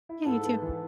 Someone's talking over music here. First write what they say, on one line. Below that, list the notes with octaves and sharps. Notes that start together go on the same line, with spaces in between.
Yeah, you too.
E4
G#2 A4
B3
E3